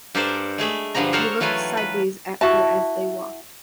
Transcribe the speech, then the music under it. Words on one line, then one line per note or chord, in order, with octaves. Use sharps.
He looked sideways at her as they walked.
G2 G4 A4 A#4 C5 D5
G#3 A3 G#4 B5
G2 D3 F3 G3 A#5
A4 A#4 C5 C#5 F5 F#5
E3 F#3 A3 F4 B4 G#5
B4
E4 F#4 E5 A5